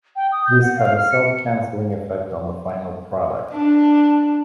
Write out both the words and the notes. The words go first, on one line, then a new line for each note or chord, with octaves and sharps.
This had a self-canceling effect on the final product.
G5
D#6
G6
F#5
F5
F6
C#7
D4